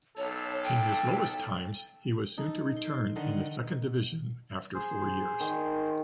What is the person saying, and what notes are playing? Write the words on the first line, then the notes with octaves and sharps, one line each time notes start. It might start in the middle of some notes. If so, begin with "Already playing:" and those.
In his lowest times, he was soon to return in the second division after four years.
B1 A4 C#5
G5
D#4 A4
C6
D3 D#3 D#5 F#5
G#4 C5
D#3